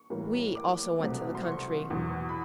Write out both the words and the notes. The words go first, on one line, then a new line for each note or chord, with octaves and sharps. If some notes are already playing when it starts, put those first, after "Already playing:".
We also went to the country.
Already playing: C#6
A2 E3 G3 A#3
D6
C2 B2 F#3 A3 C4
C6
C#6
E2 B2 F#3
B5